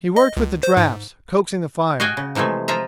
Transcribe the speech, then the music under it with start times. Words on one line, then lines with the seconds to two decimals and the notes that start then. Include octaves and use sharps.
He worked with the drafts, coaxing the fire.
0.16 D#5
0.37 C#2
0.63 C5
0.77 G#2
2.00 F#4 D#5 F5 G5 G#5
2.17 C#3
2.35 C3 E3 F3 G#3 A3
2.68 F3 F4 E5 A#5